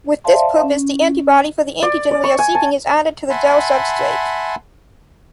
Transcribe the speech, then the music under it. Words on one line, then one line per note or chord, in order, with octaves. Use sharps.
With this purpose, the antibody for the antigen we are seeking is added to the gel substrate.
C5 D5 E5 F5 A5 C6
C#4
D5
D5
C#6
G#5
A5
E5 F#5 G#5 A5 B5 C6